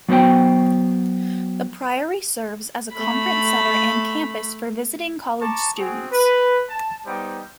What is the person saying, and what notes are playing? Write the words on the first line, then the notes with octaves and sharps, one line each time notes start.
The priory serves as a conference center and campus for visiting college students.
F#3 B3 F#4 C5 G5
A3 B5
A5 A#5 C#6 D6
C4 F#4 G#4
B4
A5
G3 B3 D#4 C5 G5